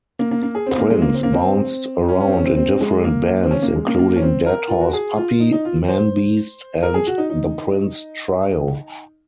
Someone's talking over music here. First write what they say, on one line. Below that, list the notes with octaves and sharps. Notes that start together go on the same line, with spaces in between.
Prince bounced around in different bands including Deadhorse Puppy, Manbeast, and The Prince Trio.
A#3
A#3
A#3
G#4
C4
A#3
G#3
A#3
C4
A#3
C4
C#4
C#4
C4
C#4
C4
C4
G#3
A#3
C4
C#4
A#3
G#3
A#3
A#3
C#4
C4
A#4
F4
F#4
G#4
F4
D#4
D#4
F4
C5
A#4
G#4
F#4
D#4
D#4